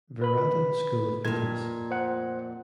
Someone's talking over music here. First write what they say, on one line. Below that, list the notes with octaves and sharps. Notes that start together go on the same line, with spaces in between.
Virata School of Business.
B4 B5
F2 A#2 G#6
C5 F#5